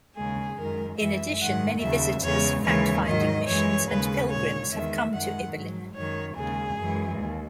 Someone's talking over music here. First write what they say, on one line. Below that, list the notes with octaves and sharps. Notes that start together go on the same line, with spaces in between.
In addition, many visitors, fact-finding missions, and pilgrims have come to Ibillin.
D#2 C#3 G#3 G#4
F#2 D#3 G#3 A#4
F#2 E3 G#3 E5
G#2 D#3 G#3 F#5
D#2 C#3 F#3 E5
E2 C#3 G#3 C#5
D#2 C#3 E3 G#3 C#5
G#2 D#3 F#3 D#5
F#2 E3 G#3 C#5
D#2 C#3 G#3 B4
A#2 G#3 C#5
E2 D#3 G#3 E5
F#2 D#3 G#3 F#5
G#2 F#3
F#2 D#3 G#3 C#5
D#2 C#3 G#3 G#4
F#2 E3 G#3
D#2